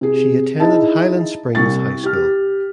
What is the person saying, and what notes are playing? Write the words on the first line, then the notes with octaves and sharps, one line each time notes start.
She attended Highland Springs High School.
C3 G#4
D#4 E4 G#4 D#5 E5 A5
C2 C#6 A6
G4 F6